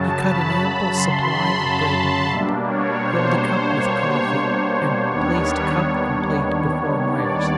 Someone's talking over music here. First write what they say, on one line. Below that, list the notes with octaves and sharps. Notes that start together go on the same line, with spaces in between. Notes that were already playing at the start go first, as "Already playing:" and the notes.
He cut an ample supply of bread and meat, filled a cup with coffee and placed cup and plate before Myerst.
Already playing: F#2 C#3 F#3 A5
B5
C6
B5
A5
B2 G3 A#3 D4 E5
C#5
C5
C#5
D#2 D#3 G3 B3 D4 C#5
D5